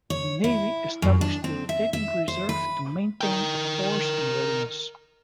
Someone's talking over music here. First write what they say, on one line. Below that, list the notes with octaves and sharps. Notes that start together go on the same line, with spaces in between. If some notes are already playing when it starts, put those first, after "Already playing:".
The Navy established the rotating reserve to maintain a force in readiness.
C#5
E4
F#2
D4
C4
E5
E5
C5
B4
A#4 G5